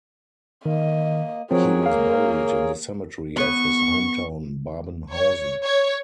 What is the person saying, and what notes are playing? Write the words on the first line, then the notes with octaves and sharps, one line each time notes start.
He was buried in the cemetery of his hometown Babenhausen.
D#3 A#3 D#5
F3 F#3 C4 G#4 A#4 C#5
A#3 F5
B3 C#5 C#6
C#5
C#5